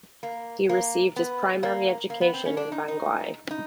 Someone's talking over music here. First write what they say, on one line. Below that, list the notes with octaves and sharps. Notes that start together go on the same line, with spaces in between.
He received his primary education in Bangui.
A#3
A#3
B3
A#3
A#3
B3
C4
C#4
D4
D#4
D#4
D#4